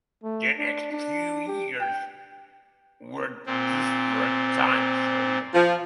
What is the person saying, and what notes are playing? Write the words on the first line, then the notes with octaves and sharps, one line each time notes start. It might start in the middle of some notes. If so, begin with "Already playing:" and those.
The next few years were desperate times for him.
A3
D4
D4
G4
G5
A#2 C4
F3